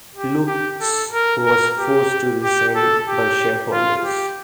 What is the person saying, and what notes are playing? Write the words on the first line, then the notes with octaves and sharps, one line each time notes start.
Loucks was forced to resign by shareholders.
G4
G4
A4
A#4
A#4
G4
G4
A4
G4
F4
G4